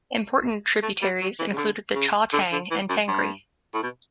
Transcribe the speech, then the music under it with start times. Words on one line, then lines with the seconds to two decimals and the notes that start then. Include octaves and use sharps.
Important tributaries include the Chautang and Tangri.
0.83 A3
1.02 G3
1.21 F#3
1.39 E3
1.52 C#3
1.58 D3
1.95 C#3
2.33 D3
2.52 D3
2.71 E3
2.90 F#2
3.08 G2
3.74 A2
3.83 B2